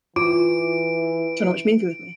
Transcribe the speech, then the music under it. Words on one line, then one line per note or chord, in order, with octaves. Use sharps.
Do you wanna watch a movie with me?
E3 F4 D7